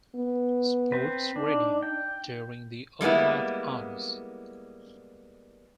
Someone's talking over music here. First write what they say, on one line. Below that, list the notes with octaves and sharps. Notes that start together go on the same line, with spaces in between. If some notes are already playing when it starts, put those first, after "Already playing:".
Sports Radio during the overnight hours.
B3
C4 B4
D4 D#4
G5
G3 G#3 A#3 B3 E4